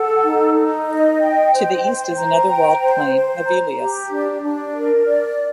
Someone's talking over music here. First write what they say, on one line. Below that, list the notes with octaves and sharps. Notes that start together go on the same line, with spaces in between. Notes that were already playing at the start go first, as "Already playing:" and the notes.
To the east is another walled plain, Hevelius.
Already playing: A4 F#5
D#4
D#4
D#5
G5
C5
C5
A#5
G5
C5
C5
A#5
G4
D4
D4
A#4
D5